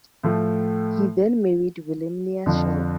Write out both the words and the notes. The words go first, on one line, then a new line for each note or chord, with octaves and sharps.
He then married Wilhelmina Schulze.
A2 F3 A3
F2 D3 F3